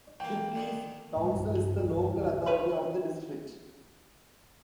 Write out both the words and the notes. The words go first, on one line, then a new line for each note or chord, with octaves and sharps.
Kirklees Council is the local authority of the district.
E3 A#3 G5
D3 D#3
A2 G3 G#3
B1 G2
F1 C2 F3
F#1 E2 G2
G1 D2 A#2 C#3
B4 C#5 B5